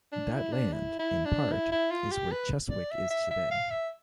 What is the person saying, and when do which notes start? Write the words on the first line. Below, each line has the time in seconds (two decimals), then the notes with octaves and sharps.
That land, in part, is where Cheswick is today.
0.12 D4
0.33 E4
0.52 D4
0.73 E4
0.99 E4
1.25 D4
1.52 E4
1.72 E4
1.91 F4
2.11 G4
2.31 B4
2.70 D5
2.91 E5
3.10 E5
3.31 E5
3.51 F5
3.70 E5